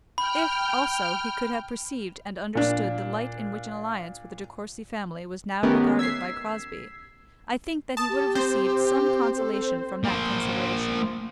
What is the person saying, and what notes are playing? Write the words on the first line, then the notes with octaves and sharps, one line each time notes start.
If, also, he could have perceived and understood the light in which an alliance with the De Courcy family was now regarded by Crosbie, I think that he would have received some consolation from that consideration.
G5 B5 F6
A#2 D4
D#3 A3 B3 C#4 G4 A#4
E6 G#6 B6 C7
A5 D#6
G4
C4 C5
A4
A#3 C5